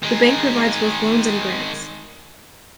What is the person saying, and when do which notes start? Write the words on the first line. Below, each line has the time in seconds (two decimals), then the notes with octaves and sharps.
The Bank provides both loans and grants.
0.03 D#3 G#3